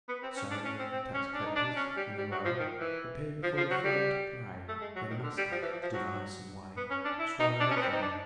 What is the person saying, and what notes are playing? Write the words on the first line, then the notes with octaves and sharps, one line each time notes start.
So The tax-collectors in a row Appeared before the throne to pray Their master to devise some way To swell the revenue.
B3
C4
C#4
D4
C#4
C4
C4
C#4
D4
D#4
D4
C#4
G3
G3
F#3
F3
D#3
E3
F3
F3
F#3
G3
A3
G#3
F#3
D#3
D3
G3
F3
E3
F3
F3
F#3
B3
C#4
D4
E4
D#4
D4
C#4
B3
C4
D#4
D4